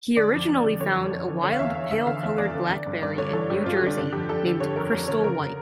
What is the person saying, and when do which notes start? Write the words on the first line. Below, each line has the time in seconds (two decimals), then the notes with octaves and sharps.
He originally found a wild pale coloured blackberry in New Jersey, named 'Crystal White'.
0.17 D3 D5
0.33 F2
0.49 F2
0.64 D3
0.80 D3 C#5
0.95 F2
1.11 F2
1.28 D3
1.43 D3 C#5
1.52 F5
1.59 E2 E5
1.75 E2 F5
1.91 D3 E5
2.06 D3 F5
2.23 E2 E5
2.38 E2 D5
2.55 D3
2.70 D3
2.86 G2
3.02 G2 D5
3.18 D3 C#5
3.33 D3 A4
3.50 G2 G4
3.65 G2 F4
3.77 G4
3.82 D3 D4
3.97 D3 D4
4.13 F2 G4
4.29 F2 A4
4.45 D3
4.60 D3 C#5
4.76 F2 A#4
4.92 F2 C#5
5.08 D3 C#5
5.24 C#3 A#4